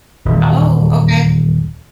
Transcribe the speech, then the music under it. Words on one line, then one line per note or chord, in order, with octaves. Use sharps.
Oh, okay.
D#1 E2